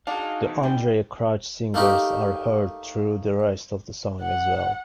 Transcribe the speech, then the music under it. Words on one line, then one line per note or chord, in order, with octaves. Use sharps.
The Andrae Crouch Singers are heard throughout the rest of the song as well.
D4 D#4 F#4 G#4 F5
E2 E3
G3 B3 G5
A3 A#3 D#4 G4 A#4
F#5